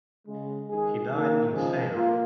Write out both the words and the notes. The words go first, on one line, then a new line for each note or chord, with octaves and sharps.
He died in Sayre.
C#3 G#3
D#3 G#3 G#4
D#3 A#3
C#3 F3 G#3 G#4
A#3 F4